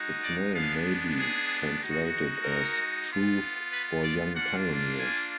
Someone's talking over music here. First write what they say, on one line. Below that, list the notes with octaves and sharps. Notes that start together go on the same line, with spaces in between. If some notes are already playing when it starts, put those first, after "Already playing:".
Its name may be translated as "Truth for Young Pioneers".
Already playing: G#3 D#4 F#4
D5
G#3 B3 D4 F5
G#4
G#3 D#4 F#4
A#4
B3 F4
B4
D5
A#3 D4 F4 F#5
G#5